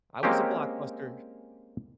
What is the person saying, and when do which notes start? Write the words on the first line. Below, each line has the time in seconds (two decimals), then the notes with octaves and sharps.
I was a Blockbuster
0.23 G#3 A#3 C4 C#4 G4